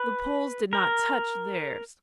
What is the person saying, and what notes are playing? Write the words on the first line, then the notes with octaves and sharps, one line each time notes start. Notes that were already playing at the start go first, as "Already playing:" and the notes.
The Poles did not touch theirs.
Already playing: B4
A#4